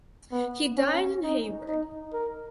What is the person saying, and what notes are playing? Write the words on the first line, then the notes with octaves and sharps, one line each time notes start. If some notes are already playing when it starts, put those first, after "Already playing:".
He died in Hayward.
B3
C#4
D#4
D#4
A#4